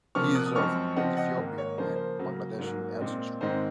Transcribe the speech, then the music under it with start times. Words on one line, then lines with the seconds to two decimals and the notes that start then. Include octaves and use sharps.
He is of Ethiopian and Bangladeshi ancestry.
0.15 C3 F3 A#3 C#6 F6
0.35 D#6 F#6
0.46 D#6
0.55 F#2 F3 G#3 C4 C#6 F6
0.96 C#3 F3 C4 D#5 F#5
1.17 D#5 F#5
1.37 G#2 D#3 A#3
1.58 C#5
1.78 C#3 F3 A#3 C5
1.96 C5
2.19 C#3 F#3 A#3
2.59 G#2 F#3 A#3
3.00 A#2 G#3 C4
3.41 G#2 D#3 G#3 C4 C5